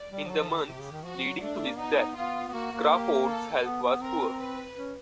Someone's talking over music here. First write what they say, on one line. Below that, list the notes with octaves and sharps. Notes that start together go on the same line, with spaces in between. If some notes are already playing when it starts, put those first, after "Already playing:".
In the months leading to his death, Crawford's health was poor.
Already playing: D5
G3
F3
F#3 A4
F3
D#3
C3 G4
C#3
D#3
F3 F#4
F3
F#3
A3 D4
A3
A#3
B3 D#4
B3
B3 F4
B3
A#3 F#4
A#3
G4
A4
B3
B3
C4 A#4
B4
C#4